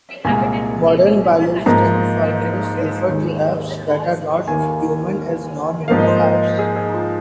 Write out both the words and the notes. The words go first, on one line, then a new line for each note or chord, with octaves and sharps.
Modern biologists and primatologists refer to apes that are not human as "non-human" apes.
C2 A#2 G#3 G#5
G#2 F3 A#3 A#5
D#2 D#3 G#3
D#2 D#3 A#3 G#5
G#2 F3 A#3 F5
D#5
C5
D#5
G#4
G#4
F4